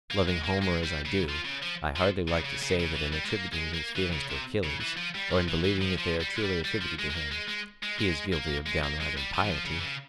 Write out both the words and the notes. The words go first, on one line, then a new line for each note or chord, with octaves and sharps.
Loving Homer as I do, I hardly like to say that in attributing these feelings to Achilles, or in believing that they are truly attributed to him, he is guilty of downright impiety.
A#3
G#3
A#3
G#3
G3
C#3
F3
C#3
F3
F3
C#3
C#3
C#3
C#3
E3
G3
G#3
A#3
G#3
A#3
E3
C#3
C3
C#3
E3
F3
G3
F3
E3
E3
F3
F3
G3
G#3
G3
G3
F3
G#3
G#3
A#3
G#3
G#3
G#3
G#3
A#3
G#3
A#3
G#3
G3
F3
E3
F3
C#3
E3
C#3